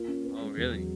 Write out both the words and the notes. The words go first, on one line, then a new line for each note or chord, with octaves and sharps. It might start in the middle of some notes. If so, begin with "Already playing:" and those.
Oh, really?
Already playing: A#3 F4
C#4
B3
G#3
E2
F#3